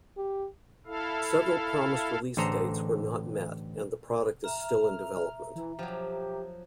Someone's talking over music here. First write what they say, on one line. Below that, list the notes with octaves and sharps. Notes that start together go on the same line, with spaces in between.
Several promised release dates were not met and the product is still in development.
G4
E4 A4 F5
A1 D3 G#4 A4 C5 A#5
E5 A#5 F6
E3
F3 F#3 G4